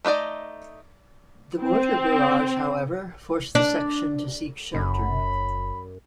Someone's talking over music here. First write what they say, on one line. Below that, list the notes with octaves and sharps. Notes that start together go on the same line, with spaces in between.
The mortar barrage, however, forced the section to seek shelter.
A3 D#4 F4 D5 D#5
C4
D4
F#1 F#2 B5